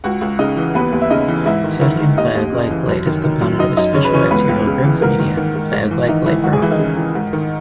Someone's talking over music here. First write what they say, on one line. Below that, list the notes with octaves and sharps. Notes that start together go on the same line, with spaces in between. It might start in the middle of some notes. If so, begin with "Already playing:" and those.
Sodium thioglycolate is a component of a special bacterial growth media : thioglycolate broth.
C#2 F#4 F#5
C#2
C#3 D#4 D#5
E3
D#2 B3 B4
D#2
E5
C#3 D#4 D#5
E3
G#2 E4 E5
D#3
D#3 E4 E5
G#2
D#2 D#4 D#5
D#2
C#3
E3
F#2
D#3
D#3
F#2
F#2 D#4 D#5
F#2 D#4 D#5
C#3 C#5
B4
E3 C#4 C#5
C#2 B3 B4
C#2
C#3
E3
G#2 A#3 A#4
D#3
D#3
G#2
G#2
E3
D#3 E3 D#4
G#2 E3 E4
C#2 F#3 F#4
G#3 G#4
C#2 E3 E4
D#3 D#4
C#3
E3
G#2
D#3